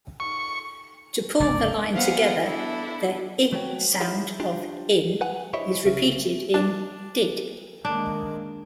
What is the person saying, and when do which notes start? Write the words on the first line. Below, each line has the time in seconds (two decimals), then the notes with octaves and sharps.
To pull the line together, the "i" sound of "In" is repeated in "did".
0.20 C#6
1.40 F1 C#2 G2 D5
1.93 A#3 B3 C5 F5 F#5 G#5
2.43 B3 D4 E4 A4
3.53 F#3 A3 B3 F#4 C#5 G5
4.00 E4 F4 G4 G#4 C#5 F#5
4.40 D4 F4 G4
5.21 B4 F#5 G#5
5.53 E4 G4 C5 C#5 D#5 E5
5.85 C2 C#3 C#4 E5
6.54 D4
7.85 D#3 G#3 A#3 D4